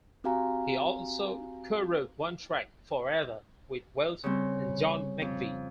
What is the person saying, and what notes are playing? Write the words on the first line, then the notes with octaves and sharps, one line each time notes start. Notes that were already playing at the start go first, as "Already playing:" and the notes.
He also co-wrote one track, "Forever", with Welch and John McVie.
C4 F#4 G4 F5 G#5 A#5
C#3 G3 C4
F2